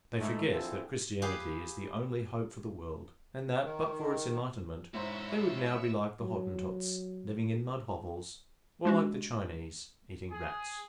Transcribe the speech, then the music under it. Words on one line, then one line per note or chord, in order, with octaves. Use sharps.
They forget that Christianity is the only hope for the world, and that, but for its enlightenment, they would now be like the Hottentots, living in mud hovels, or like the Chinese, eating rats.
G#2 A3
D3 F3 C4 E4 G#4 A4
G4 G#4 B4 F5
D#3
G#2 E4 F#4 C5 C#5 E5 A#5 B5
F#3
G#3 D4 F#4
G#4